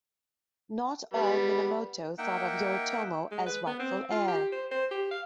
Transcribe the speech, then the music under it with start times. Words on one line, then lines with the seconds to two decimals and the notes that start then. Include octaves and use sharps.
Not all Minamoto thought of Yoritomo as rightful heir.
1.14 G3 B3
2.18 A#3 D#4 E5 F#5 G5
3.32 G#3
3.47 B4
3.67 B3
3.80 C4
4.11 F4
4.28 G4
4.52 C5
4.71 C5
4.91 G4
5.11 F5